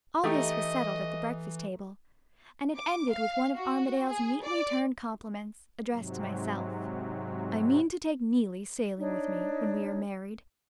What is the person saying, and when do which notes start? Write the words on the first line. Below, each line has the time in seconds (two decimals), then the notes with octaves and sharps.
All this was settled at the breakfast-table; and it ended with one of Armadale's neatly-turned compliments, addressed to myself: 'I mean to take Neelie sailing with me, when we are married.
0.24 E3 A3 D#4 G4 A4 D#5 E5 D#6
2.76 D6
3.11 F5
3.55 F#4
4.09 G#4
4.44 D5
5.91 G#2 C3 F#3
8.99 D4 D#4 C#5